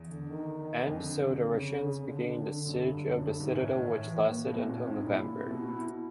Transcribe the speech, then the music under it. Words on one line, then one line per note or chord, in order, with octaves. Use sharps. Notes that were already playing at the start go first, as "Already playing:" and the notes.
And so The Russians began the siege of the citadel which lasted until November.
Already playing: E2
D3
D#3
F2 D3
C#3
D3
D3
D3
F#2
G2
F#2
G2
G#2
A2
A2
A2 D#3
E3
A2
A#3
B2 A#3
A2
A#2 C4
A2 C4
G#2 D4
A#2 E4
A#2
C3
B2
B2 E4